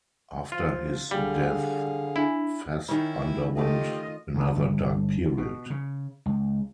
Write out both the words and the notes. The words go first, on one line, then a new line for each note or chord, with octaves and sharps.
After his death Fez underwent another dark period.
F3 F4
D3 G3 G#4 F5
D4 E4 G#5
D#3 C#4 E4
A3 F4 G4 D#5
D2
G1
B2
C#3
C#2